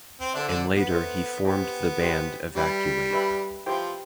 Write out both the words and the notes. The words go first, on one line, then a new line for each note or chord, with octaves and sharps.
And later he formed the band Evacuate.
C4
D3 D4 A4 C5 E5
D3 D4
B3
A4 C5 E5
B3 E4 G4 C5 G5
E4 G4 C5 G5
G3 D4 G4 B4 E5 B5
D4 G4 B4 E5 B5
F3 E4 G4 C5 G5